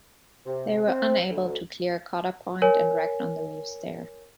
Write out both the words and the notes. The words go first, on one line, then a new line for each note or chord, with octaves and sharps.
They were unable to clear Cotta Point and wrecked on the reefs there.
C3
C4
D2
A#4 C#5 G#5